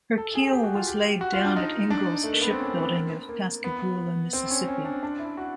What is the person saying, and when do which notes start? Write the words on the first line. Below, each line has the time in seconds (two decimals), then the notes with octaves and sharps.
Her keel was laid down at Ingalls Shipbuilding of Pascagoula, Mississippi.
0.18 A4
0.35 G#4
0.53 G4
0.63 F#4
0.75 F4
0.87 G4
1.21 F#4
1.33 F4
1.45 D4
1.56 D#4
1.90 D4
2.24 A3
2.33 A#3
2.42 B3
2.51 C4
2.60 C#4
2.77 B3
2.95 A#3
3.29 A#3
3.64 B3
4.33 C4
4.51 C#4
4.68 C#4
4.85 D4
5.03 D4
5.19 E4
5.37 F#4